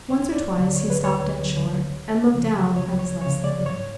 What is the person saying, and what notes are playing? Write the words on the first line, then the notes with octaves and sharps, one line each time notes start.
Once or twice he stopped dead short and looked down at his left slipper.
D2 C#5
D5
F#3
D3
C#5
B4
D2 C#5
D3 F#3
C#2
C#3 F3
C#2 C#5
C#5
C#3 F3 C#5
D5
G#2 C#5